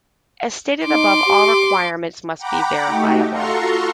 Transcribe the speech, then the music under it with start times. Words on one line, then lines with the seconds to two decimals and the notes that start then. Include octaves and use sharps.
As stated above all requirements must be verifiable.
0.86 D#4 C6 D6
1.26 G4
2.38 F#5 G5 A#5 B5 D6
2.86 A3 D#4 F#4 G4
3.29 F4 F#4 A4 A#5 C6 C#6